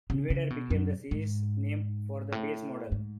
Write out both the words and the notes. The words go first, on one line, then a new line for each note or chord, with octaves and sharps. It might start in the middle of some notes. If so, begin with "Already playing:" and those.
Invader became the series name for the base model.
C#3
C#3
B2
F#2
G#2
A2
G#2